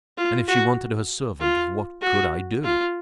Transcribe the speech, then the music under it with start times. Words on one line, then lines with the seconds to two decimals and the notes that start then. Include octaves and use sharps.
And if she wanted her servant, what could I do?
0.18 F4
0.48 F#4
1.40 F4
2.02 F#4
2.64 F4